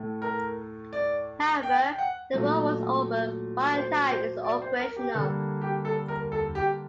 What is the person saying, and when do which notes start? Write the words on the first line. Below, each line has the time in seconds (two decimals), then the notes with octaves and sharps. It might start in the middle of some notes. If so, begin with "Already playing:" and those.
However the war was over by the time it was operational.
Already playing: A2 A3
0.22 A#4
0.93 D5
1.63 G5
1.92 G5
1.98 F#5
2.33 A#2 F#3 A3
3.74 C5
4.09 C5
4.44 D5
4.62 C5
4.79 A#4
4.96 G4
5.15 D3 G3 A#3 A4
5.61 G4
5.85 A4
6.08 A#4
6.32 A4
6.55 G4